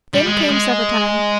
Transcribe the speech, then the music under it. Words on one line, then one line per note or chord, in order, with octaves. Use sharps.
Then came supper-time.
G3
G#3
G3
G#3